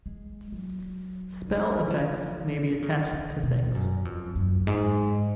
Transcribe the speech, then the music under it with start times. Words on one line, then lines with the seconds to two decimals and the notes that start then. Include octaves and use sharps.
Spell-effects may be attached to Things.
0.06 G#3
0.52 F#3
1.90 F3
2.36 D#3
2.82 C#3
3.13 C#3
3.43 B2
3.75 F#2
4.05 F2
4.36 F#2
4.67 G#2